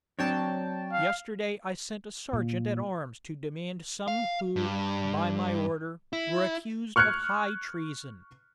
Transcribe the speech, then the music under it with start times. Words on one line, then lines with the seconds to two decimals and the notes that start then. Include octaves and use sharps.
Yesterday I sent a serjeant at arms to demand some who, by my order, were accused of high treason.
0.19 F#3 C4 D4 C#5 G5 A5
0.92 F5
2.33 A#2
4.08 F5
4.56 G2
6.13 E4
6.96 C#6 F6 F#6 G#6 C#7